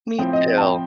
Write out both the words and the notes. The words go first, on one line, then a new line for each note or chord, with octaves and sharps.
Me too.
A2 F3 C4 G5
D#5
D#5
A5
G5